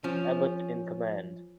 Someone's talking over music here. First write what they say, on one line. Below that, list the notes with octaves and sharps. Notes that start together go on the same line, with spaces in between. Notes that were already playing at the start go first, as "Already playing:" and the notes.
Ebert in command.
F3 C#4